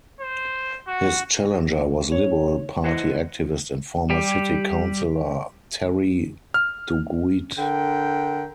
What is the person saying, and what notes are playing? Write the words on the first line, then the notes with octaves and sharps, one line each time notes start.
His challenger was Liberal Party activist and former city councillor Terry Duguid.
C5
F#4
C#5
E4 B4 C5 D#5 F#5
G3 G4
F6
D3 A#4 G5